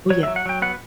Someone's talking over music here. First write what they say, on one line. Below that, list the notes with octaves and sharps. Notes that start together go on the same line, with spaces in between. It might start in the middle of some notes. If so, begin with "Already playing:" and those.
Ooh, yeah.
F#3 C#5
E5
F#3
F#5
F#3 G5
B3 F#5